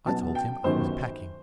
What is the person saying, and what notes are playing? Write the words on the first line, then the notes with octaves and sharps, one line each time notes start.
I told him I was packing.
B1 B2 F#3 B3 A5
G5
G1 F#2 D#3 C5